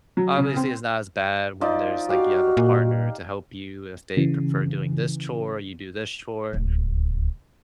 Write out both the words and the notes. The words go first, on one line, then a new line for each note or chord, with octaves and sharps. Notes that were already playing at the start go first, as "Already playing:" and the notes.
obviously it's not as bad when there's like, you have a partner to help you if they prefer doing this chore, you do this chore,
F#3
C#3
C4
F3 D#4 D5
F#4 G4 F5
A#2
C#3 E3
D1 C#2